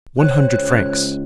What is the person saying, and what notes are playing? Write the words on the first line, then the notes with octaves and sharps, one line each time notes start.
"One hundred francs!"
C5 C#5 G5 F#6
C#2